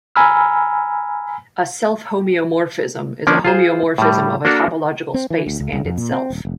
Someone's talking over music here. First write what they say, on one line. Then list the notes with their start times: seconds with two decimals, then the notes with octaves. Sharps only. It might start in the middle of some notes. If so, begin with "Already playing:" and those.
A self-homeomorphism is a homeomorphism of a topological space and itself.
0.16 G#5 A#5 B5 E6 F6
3.27 F3 A#3 C#4 D4 D5
3.45 F4 G#4 C5
3.98 A2 G3
4.45 A#3 D4 F#4 A4 A#4
5.14 C4
5.30 E3
5.46 D2
5.60 C#2
5.73 C2
5.85 F2
5.98 A#2
6.12 C4
6.30 D#1
6.45 F1